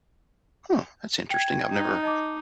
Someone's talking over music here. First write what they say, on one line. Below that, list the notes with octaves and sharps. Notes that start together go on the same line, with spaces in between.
Huh, that's interesting. I've never
G5 G#6
D#4
D#5 A5 D6